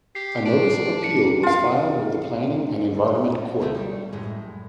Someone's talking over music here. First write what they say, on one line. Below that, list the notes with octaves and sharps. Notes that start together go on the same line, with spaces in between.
A notice of appeal was filed with the Planning and Environment Court.
G4 C7
D4 D7
C#7
F4 F5
D2 B2 D3 A3
G3 C#5
F#2 A2 G#3